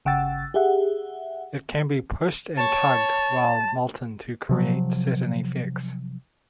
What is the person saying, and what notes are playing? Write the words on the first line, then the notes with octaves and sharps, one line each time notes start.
It can be pushed and tugged while molten to create certain effects.
G1 C#3 F#5 G5 E6 A6
G4 G#4 E5 F#5
C#5 A5
C3 F3 F#3